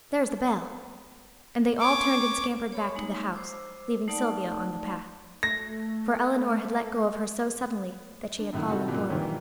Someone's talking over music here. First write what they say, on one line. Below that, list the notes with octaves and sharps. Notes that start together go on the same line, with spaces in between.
"There's the bell," and they all turned and scampered back to the house, leaving Sylvia on the path; for Elinor had let go of her so suddenly that she had fallen forward.
C#5 D6
C#5 B5 C#6
G#3 A#3 D#4
C5 D6 E6
A3 D#4 D5 F#5 A5
A3 A#6
D4
F#2 A2 D#3
C3 D#3 G3 F#4 A4
F#2 A#2
G2 A#2 D#3 E3